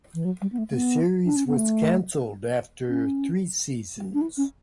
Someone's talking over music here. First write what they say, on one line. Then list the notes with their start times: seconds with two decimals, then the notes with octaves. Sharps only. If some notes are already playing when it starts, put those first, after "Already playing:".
The series was canceled after three seasons.
0.14 E3
0.25 F#3
0.41 G3
0.52 B3
0.58 A3
0.70 A3
0.74 B3
1.25 D4
1.36 C#4
1.47 B3
1.57 A3
2.89 C#4
4.14 D4
4.21 E4
4.37 C#4